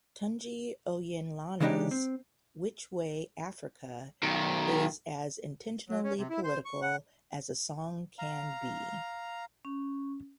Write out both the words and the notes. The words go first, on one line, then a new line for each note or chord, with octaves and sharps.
Tunji Oyelana's Which Way Africa is as intentionally political as a song can be.
C#3 E3 G#3 D4 D#4 G4
C4
B1 D#3
F#3
C#4
C3
E4
C5
C#6
F#5
F5 A#5
C#4